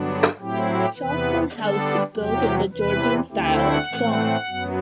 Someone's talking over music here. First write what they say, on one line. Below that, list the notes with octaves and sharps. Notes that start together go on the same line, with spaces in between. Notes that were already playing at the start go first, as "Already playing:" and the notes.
Shalstone House is built in the Georgian style, of stone.
Already playing: G2 D3 F#3 B3 D4
A2 F#3 C4 E4 G4
G4
E2 C3 E3 B3 B4
D3 G3 B3 D4 A4
E2 C3 F#3 G4
E2 C3 E3 B4
D2 D3 A3 C4 E4 G4
F#5
A2 E3 A3 C4
F#2 F#3 B3